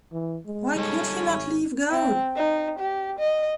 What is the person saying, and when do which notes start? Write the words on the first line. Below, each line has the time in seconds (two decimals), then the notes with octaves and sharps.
Why could he not leave go?
0.13 E3
0.46 G#3
0.76 G3 C#4 D#4 A4
1.30 G#1
1.91 C4
2.36 D#4
2.79 G4
3.19 D#5